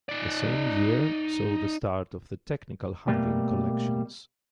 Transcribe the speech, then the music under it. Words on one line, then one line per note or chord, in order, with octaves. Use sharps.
That same year saw the start of the technical handling collections.
D#4 D5
B2 G3 A3 A#3